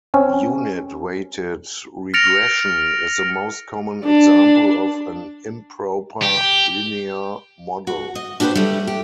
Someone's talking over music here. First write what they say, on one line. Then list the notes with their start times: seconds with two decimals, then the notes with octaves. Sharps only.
Unit-weighted regression is the most common example of an improper linear model.
0.14 C4 C#4
2.14 F6 A6 A#6 C#7 D7 F7
2.59 F7
4.05 D4
6.22 G4
7.87 F#4
8.15 D#5
8.40 D4 F#4 G4 A4 B4 C5
8.55 G3 A3
8.87 G4